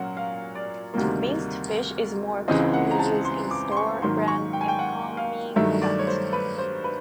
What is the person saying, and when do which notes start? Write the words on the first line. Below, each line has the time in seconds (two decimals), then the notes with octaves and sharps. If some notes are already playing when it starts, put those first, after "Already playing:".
Minced fish is more commonly used in store brand economy products.
Already playing: A#2 F#3 A#3 C#4 F#5
0.17 F5
0.55 D5
0.94 D2 C3 D#3 G3 A#3
2.48 C#2 C#3 E3 G#3 C4 D#5
2.73 F#5
2.91 A#5
2.99 A5
3.25 C6
3.51 D6
3.72 C6
3.77 C#6
4.02 G#2 D#3 F#3 A#3 C6
4.28 C#6
4.53 G5
4.61 G#5
4.68 G5
4.79 F#5
5.17 F5
5.56 G2 D#3 F#3 A3 E5
5.82 D5
5.99 C#5
6.07 C5
6.33 B4
6.58 C5
6.84 B4